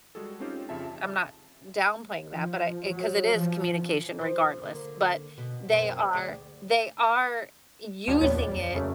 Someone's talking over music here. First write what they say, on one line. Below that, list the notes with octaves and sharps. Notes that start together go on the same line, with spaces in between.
I'm not downplaying that, but I 'cause it is communication regardless, but they are they are using it
G3 G#3 F#4 G#4 A4
C4 C#4 D#4 F4 G4 C5
F2 C#3 F4 E5 G#5 A5
F3
F#3
F3
E3
F3 C5
D3 A#3
B2
F#2 A#3 C4
D2 G#4 D5
D#2 F3 G3 C#5
A#1 D#2 B3 C#5
E2 D5
F2
F#2 C#3 A3